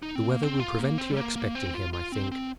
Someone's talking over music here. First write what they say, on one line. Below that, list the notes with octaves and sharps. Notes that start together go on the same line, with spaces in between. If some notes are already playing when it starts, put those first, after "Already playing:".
The weather will prevent your expecting him, I think.
D#4
C4
A#3
C4
F4
A#3
C4
G3
A#3
A#3
C4
F4
F4
C4
C4